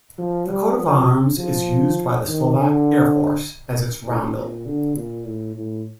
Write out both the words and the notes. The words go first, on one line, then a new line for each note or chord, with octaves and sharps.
The coat of arms is used by the Slovak Air Force as its roundel.
F3
G3
F3
F3
D#3
D3
A2
A#2
D3
A#2
A2
A2